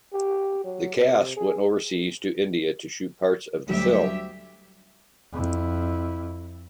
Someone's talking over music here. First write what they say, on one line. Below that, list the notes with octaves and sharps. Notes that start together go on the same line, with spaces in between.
The cast went overseas to India to shoot parts of the film.
G4
F#3
C3
G#4
D2 F#3 G3 D4 G4 E5
F2 E4